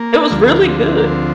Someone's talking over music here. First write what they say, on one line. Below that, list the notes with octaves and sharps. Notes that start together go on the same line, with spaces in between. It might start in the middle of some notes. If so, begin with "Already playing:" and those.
It was really good.
Already playing: A#3
D2 D3 F3
C4
C4
A#3
C4